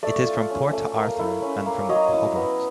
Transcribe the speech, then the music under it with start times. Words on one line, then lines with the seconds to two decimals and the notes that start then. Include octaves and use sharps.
It is from Port Arthur, and from Hobart.
0.03 A3 D5 E5
0.26 F4
0.50 C#4
0.73 A3
0.96 A#3
1.19 E4
1.42 C#4
1.66 A#3
1.89 F#3 C#5 D#5
2.12 E4
2.36 B3